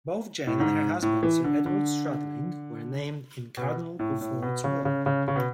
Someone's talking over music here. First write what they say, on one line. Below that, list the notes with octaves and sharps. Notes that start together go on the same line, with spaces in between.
Both Jane and her husband, Sir Edward Stradling, were named in Cardinal Beaufort's will.
A2
G#2
A2
E3
D3
D3
B2
A2
A2
B2
C#3
C#3
C#3
C#3
B2